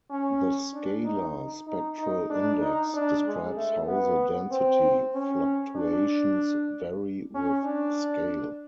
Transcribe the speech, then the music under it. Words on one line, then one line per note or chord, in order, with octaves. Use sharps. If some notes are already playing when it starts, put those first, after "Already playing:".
The scalar "spectral index" describes how the density fluctuations vary with scale.
C#4
D4
D#4
D#4
D#4
D#4
D4
D#4
D4
G#3
A3
B3
C4
C#4
D4
C#4
D4